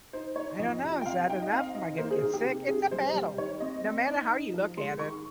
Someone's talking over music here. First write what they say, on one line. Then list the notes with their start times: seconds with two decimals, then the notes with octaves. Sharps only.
"I dunno. Is that enough? Am I gonna get sick?" It's a battle. No matter how you look at it.
0.13 D#4 C5
0.36 D#4 C#5
0.59 F2 D#5
0.82 C3
1.01 G5
1.06 C4 F5
1.29 D#4 G5
1.42 D#5
1.52 C4 F5
1.75 D#4 D#5
1.98 A#3 C5
2.11 G#4
2.22 D#3 G#4
2.34 G4
2.45 C3
2.68 C3 G#4
2.91 G3 C5
3.14 G3
3.38 D#3 C#5
3.60 C4 D#5
3.84 C4
4.07 D#4
4.31 D#4
4.54 F3
4.77 G#3 C6
4.99 D#3 C#6